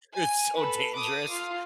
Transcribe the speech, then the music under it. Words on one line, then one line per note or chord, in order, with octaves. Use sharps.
It's so dangerous.
G#5
A4 B4
D6 D#6
F4